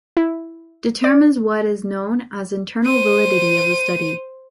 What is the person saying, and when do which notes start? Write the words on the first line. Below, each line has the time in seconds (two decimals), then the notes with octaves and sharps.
Determines what is known as internal validity of the study.
0.17 E4
1.04 D5
2.85 C5 D#7